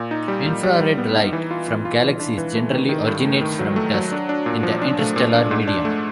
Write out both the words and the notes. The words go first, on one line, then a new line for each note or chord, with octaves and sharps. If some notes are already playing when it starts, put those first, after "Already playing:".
Infrared light from galaxies generally originates from dust in the interstellar medium.
Already playing: A#2
D#4
G3
A#2
G3
G3
B3
D#4
E3
F4
E3
F4
E3
D4
E3
A3
D#3
D#3
G2
A3
D#3
F#3
A3
F#3
D4
D4
A#2
F3
D4
A3
A#2
D4
G#2
D4
A3